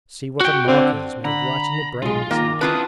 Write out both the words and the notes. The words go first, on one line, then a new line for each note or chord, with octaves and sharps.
'See what a mark he has made right in the brain,' he said.
F#4 G5
D3 C4
D3 A#5 B5
B1 G#3 F4
D#3 A#3 A#5
C4 D4 E4 F4 B4 D#6